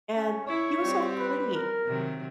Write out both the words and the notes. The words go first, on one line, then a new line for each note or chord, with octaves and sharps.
and he was so clingy.
C#4
E4 C#5
G3 C4 G4
B4
A#4
C3 D#3 F#3